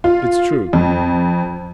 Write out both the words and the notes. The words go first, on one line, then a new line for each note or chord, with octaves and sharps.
"It's true."
F4
F2